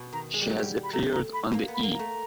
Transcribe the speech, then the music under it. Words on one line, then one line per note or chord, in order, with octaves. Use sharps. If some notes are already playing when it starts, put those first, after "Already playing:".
She has appeared on the E!
Already playing: B2
D#3 A#5
G#3
G3
F#3
G3
B5
A3 A#5
A#5
B5
A#3
B3
B5
A#3
A#5
A3